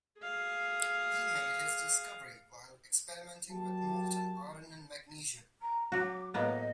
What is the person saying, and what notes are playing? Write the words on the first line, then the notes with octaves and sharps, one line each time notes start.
He made his discovery while experimenting with molten iron and magnesium.
G#4 F5
F#3 A#3 G4 A5
A#5
F#3 F#4 D6
A2 A#3 B3 D#5